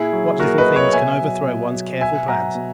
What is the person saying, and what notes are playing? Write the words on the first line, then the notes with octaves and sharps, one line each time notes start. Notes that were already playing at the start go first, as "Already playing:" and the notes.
What little things can overthrow one's careful plans!
Already playing: A#2 E4 G#4
F#3
A#2 F#4 A#4
B4 D#5
F#3
C#5 E5
B2 E5 G#5
F#3
B2
F#3
B2 E5 G#5
F#3 F#5 A#5
B2